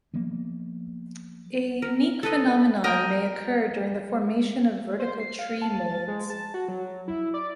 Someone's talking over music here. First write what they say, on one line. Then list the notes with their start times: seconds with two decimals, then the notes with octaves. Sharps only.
A unique phenomenon may occur during the formation of vertical tree molds.
0.14 F3 F#3 A#3 B3
1.82 A#4
2.23 A4 B4 D#5
2.84 A#4 D#5 G5
5.00 C5
5.20 C7
5.39 F5
5.62 A5
5.89 A6
6.08 G#3
6.30 A5
6.54 F#4
6.68 F#3
7.08 E4
7.34 D5